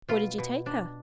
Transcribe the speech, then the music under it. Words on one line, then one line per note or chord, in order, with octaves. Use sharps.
'What did you take her?'
B2 F4
B2
D4